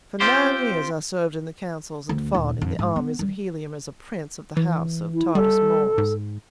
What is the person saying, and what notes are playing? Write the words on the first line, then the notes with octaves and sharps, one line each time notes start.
For nine years I served in the councils and fought in the armies of Helium as a prince of the house of Tardos Mors.
C4 F4 G4 C5
D2
D#1
F2
G#2
B3
G3
E3
E4
G3 A4
G#2